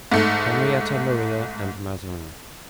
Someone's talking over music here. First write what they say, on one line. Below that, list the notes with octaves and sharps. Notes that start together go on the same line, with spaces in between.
Henrietta Maria and Mazarin.
G#2 A3